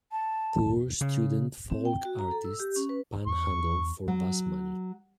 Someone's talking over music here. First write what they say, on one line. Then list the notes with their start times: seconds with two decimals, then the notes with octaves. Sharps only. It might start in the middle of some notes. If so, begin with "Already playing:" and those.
Poor student folk artists panhandle for bus money.
0.11 A5
1.01 C#3
1.70 C4
1.85 G5
2.05 F#4
2.19 A#5
2.31 A4
2.45 E6
2.60 G4
2.76 C#4
2.89 B4
3.27 E2 C#6
4.08 F#3